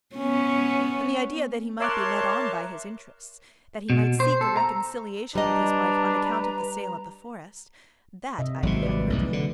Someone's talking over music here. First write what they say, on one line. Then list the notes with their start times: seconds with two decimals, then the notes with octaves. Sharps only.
And the idea that he might be led on by his interests, that he might seek a reconciliation with his wife on account of the sale of the forest--that idea hurt him.
0.16 B3 C#4
1.80 A#4 C#5 E5 A5 C6 D6 F#6
3.90 B2
4.20 C5
4.41 A4
4.57 A#5
5.35 G3 D4 B4 D#5 A#5
8.38 C3 D#5 E5
8.63 G#1 C3 F#3 G3 A3
8.82 F3 B4 D5
9.10 B1 E2 E3 A3
9.33 D3